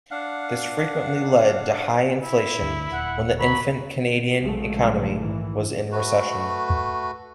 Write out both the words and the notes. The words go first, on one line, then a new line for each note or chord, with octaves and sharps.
This frequently led to high inflation when the infant Canadian economy was in recession.
D4 F5 F#5
E4
D2
D#1 F#5
D2 F#3 B5
A#1 C#3 F3 F#3 G#3 A3
G#2 D#3 E3
A3 F#4 B4